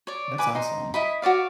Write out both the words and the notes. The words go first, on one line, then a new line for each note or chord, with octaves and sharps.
That's awesome.
C#5 D5
B4 G#5 D6
D#4 C6
E4 D#5 B5
F#4 C#5 D5 F5